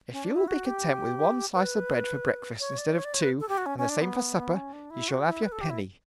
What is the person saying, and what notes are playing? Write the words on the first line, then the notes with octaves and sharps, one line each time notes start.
If you will be content with one slice of bread for breakfast instead of two, and the same for supper, you shall have your penny.
C#4
D4
E4
F#4
G4
B4
C#5
D5
C#5
D5
C#5
B4
A4
G4
F#4
C#4
C#4
D4
B3
B3
C#4
D4
E4
F#4
E4
B4
A4
G4
E4